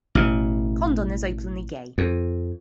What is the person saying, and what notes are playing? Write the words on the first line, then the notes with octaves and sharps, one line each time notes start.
Condon is openly gay.
A1 B2
F2